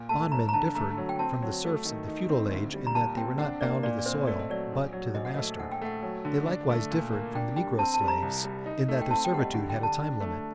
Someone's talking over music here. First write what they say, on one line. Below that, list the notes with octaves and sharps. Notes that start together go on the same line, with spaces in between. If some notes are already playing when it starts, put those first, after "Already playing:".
Bondmen differed from the serfs of the feudal age in that they were not bound to the soil but to the master. They likewise differed from the negro slaves in that their servitude had a time limit.
Already playing: A#2
A3 A5
G1 A#5
A#5
D3 A5
A3 A#5
F#3
G5
C4 A5
F#3
A3
D#3
D#4
C4
D2
G3
A#5
A#2 A5
C4 G5
D4 F#5
A#3 D5
A#2 D5
D5
C4 C5
A3 D5
D#5
F#3 D5
A#1
F#3
A#1 D#5
F#5
A3 D#5
A#1 F#5
G5
A3 F#5
F#3
D3
D4
A3
A#2
A#3
D4 G5
G3 G5
C4 A5
A5
G3
A#5
C2
G3
D#4
A3
G5
C4 A5
G5
G3 F#5
D#5
D3 F#5
G5
D4
A5
D4
A3